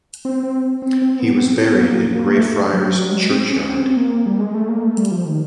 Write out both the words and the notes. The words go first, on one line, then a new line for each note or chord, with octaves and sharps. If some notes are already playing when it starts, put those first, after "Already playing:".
He was buried in Greyfriars churchyard.
C4
C4
C4
C4
B3
C4
B3
A#3
A#3
A3
F#3
F#3
G#3
C4
C#4
C4
A#3
G3
G#3
A3
A#3
A3
G3
F3
D#3